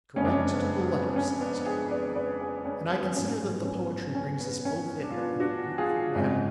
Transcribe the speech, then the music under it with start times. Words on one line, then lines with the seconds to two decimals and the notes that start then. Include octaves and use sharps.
'Correct to the letter!' said Mr Boffin. 'And I consider that the poetry brings us both in, in a beautiful manner.'
0.16 F#1 F2 C#3 G#3 C#4
0.25 D4
0.33 C#4
0.54 B3
0.92 B3
1.16 C#4
1.40 B3 D4
1.65 G#4 B4
1.91 B4 D5
2.15 B4 D5
2.41 G#4 B4
2.66 C#4
2.91 B3
3.16 A1 G#2 F#3 C#4
3.53 B3
3.65 C#4
3.76 B3
3.90 B3
4.15 C#4
4.40 B3
4.65 C#4
5.03 D4
5.10 F4
5.17 B3 D4
5.40 D4 F#4
5.78 F4 G#4
6.15 G#1 F#2 C#3 G#3